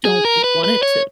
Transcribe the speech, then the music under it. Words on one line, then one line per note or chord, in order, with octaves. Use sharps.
don't want it to.
G#4
A#4
B4
B4
C#5